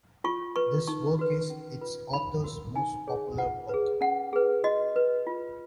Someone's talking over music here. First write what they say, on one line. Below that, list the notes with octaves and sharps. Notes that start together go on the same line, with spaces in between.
This work is its author´s most popular work.
F4 C#6
B4 C#6
D#4 C#6
F#4 B4
C#4
F4 B4
D#4 B5
F#4 A#4
D#4 G#5
G#4 C#5
F4 F#5
G#4 B4
C#4 F#5
G#4 B4
F#4 D#5
B4
F4